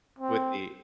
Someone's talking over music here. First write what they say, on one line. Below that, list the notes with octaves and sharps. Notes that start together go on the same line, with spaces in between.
With the
C4